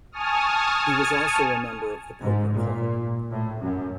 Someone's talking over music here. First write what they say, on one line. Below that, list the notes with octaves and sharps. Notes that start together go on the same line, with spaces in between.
He was also a member of The Poker Club.
G#5 A5 C#6 D#6 F6
G#2
A#2
A2
F#2